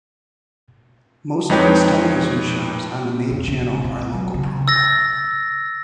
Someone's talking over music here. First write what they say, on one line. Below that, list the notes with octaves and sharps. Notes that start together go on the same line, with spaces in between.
Most of its television shows on the main channel are local programming.
F2 G#3 D#4 B4 C#5 G5
E1
C#3
C#3
C4
G#3
F#3
C#3
E6 A6 A#6